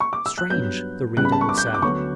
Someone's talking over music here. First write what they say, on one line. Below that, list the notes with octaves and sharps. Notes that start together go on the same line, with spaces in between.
"Strange!" the reader will say.
C#6
D6
E6
F#6
G2 F#3 B3 G6
C#2 C#3 G3 B3 F#6
B5
A5
C#6
D6
G6
F#6
D6
D2 D3 F#3 B3 C#6